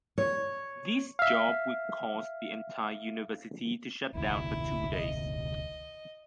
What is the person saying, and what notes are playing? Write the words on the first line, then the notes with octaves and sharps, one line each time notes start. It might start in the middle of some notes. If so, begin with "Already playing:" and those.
This job will cause the entire university to shut down for two days.
C#5
E5 F5
E1 C#2 D#3 E4
D#5